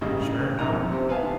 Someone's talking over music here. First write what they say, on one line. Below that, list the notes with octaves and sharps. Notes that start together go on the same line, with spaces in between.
Sure, no.
A1 G2 C#3 G3 D#5
F#2 D4 D#4 A#4 A#5
F2
C3 G4 C5
B3 B4 F5 G#5 A5
D3